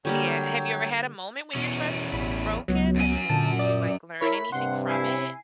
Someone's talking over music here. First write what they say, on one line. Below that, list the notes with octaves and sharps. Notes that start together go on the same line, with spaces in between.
Yeah, have you ever had a moment when your trust was broken and and did you like learn anything from it?
D3 F#3 G3 A#3 C#5 G5
E2 B2 C#4
A1 B5
C#2 F#3 B3
F#2 G#5
A#2 D3 A5
D5 D#6
E4 A#4 C#5 B5
G2 C3 F#5 C6
E4 G#5 C7